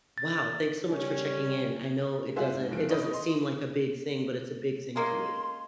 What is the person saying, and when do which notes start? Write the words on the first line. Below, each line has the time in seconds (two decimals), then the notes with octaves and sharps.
"Wow, thanks so much for checking in. I know it doesn't it doesn't seem like a big thing, but it's a big thing to me."
0.18 A6
0.88 C#3 G3 C#4
2.36 G3 F4 F#4 G#4 C5 E5
2.53 G#2
2.71 F#1 F3 D7
2.90 C#5 D#5 B5 D#6
3.14 C6
4.96 G#3 A#3 C#4 C6